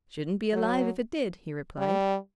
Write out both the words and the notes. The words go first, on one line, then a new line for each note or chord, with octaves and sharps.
"Shouldn't be alive if it did," he replied.
F#3
G3